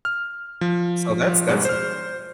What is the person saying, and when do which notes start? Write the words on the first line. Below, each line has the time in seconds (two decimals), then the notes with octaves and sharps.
so that's that's
0.05 F6
0.61 F3
1.27 F3
1.49 G#2 B2 G3 G#3
1.65 C5 F6